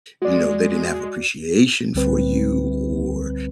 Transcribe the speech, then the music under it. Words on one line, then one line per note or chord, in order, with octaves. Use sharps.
you know, they didn't have appreciation for you? Or
G#3 F#4 D5
C#2 D3 G3 C4 B4